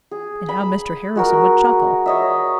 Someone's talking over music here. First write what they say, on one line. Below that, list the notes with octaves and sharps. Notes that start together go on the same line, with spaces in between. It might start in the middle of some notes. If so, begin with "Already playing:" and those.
And how Mr. Harrison would chuckle!
G#4
B5
G#3 F#4 A#4
C#5 D#5 E5